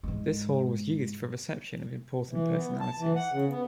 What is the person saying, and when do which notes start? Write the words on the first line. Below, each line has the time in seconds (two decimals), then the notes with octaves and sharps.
This hall was used for reception of important personalities.
0.03 G#2 G#3
2.30 E3
2.56 B3
2.80 A5
2.99 E3
3.16 F#5
3.32 C#3
3.49 B3